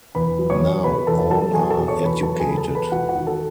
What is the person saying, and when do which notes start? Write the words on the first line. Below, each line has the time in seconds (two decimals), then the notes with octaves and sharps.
Now all are educated.
0.15 E2 B4 B5
0.39 F#3
0.50 C#5 C#6
0.61 E2
0.84 B2 B4 B5
1.07 E2 A4 A5
1.30 F#3 A4 A5
1.53 E2 G#4 G#5
1.70 A4 A5
1.77 B2
1.88 C#5 C#6
2.00 E2
2.05 B4 B5
2.23 F#3 A4 A5
2.40 G#4 G#5
2.46 E2 B5
2.57 A4 A5
2.69 B2
2.75 B4 B5
2.92 E1 F#4 F#5
3.09 F#4 F#5
3.15 D#3
3.26 A4 A5